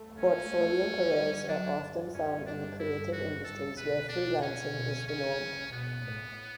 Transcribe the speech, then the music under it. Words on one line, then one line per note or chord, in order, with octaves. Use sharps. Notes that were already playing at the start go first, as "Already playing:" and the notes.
Portfolio careers are often found in the creative industries where freelancing is the norm.
Already playing: A3
C#4
A3
A3
G3
F#3 D4
G2
G2 C#4
G2 D4
E4
F#4
G2 A4
B2 B4
D4
C#4
B2
C#3 C#4
C#3
B2 B3
A2